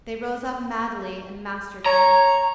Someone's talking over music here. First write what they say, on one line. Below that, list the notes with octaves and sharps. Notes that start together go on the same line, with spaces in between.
They rose up madly and mastered him.
C#5 A#5